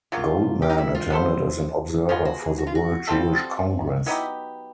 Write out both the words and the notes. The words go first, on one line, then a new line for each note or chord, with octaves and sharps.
Goldman attended as an observer for the World Jewish Congress.
C#3 F#3 A#3 F4
G4
D#4
E4
F4
B3 E4 A4 C5
F3 G#3 B3 F4
F#4
G#4
F#4
F4
F#4
G3 C4 F4 A4
F#3 B3 D#4 E4 G4